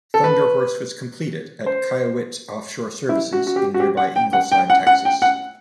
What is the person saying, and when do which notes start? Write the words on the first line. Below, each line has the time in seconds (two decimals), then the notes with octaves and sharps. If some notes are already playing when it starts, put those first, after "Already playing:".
Thunder Horse was completed at Kiewit Offshore Services in nearby Ingleside, Texas.
0.14 A4
0.24 B4
1.66 C5
3.09 E4
3.33 F#4
3.47 F#4
3.56 G4
3.74 F#4
3.80 G4
3.97 F#5
4.16 G5
4.33 F#5
4.52 G5
4.70 F#5
4.87 F#5
5.05 G5
5.22 F#5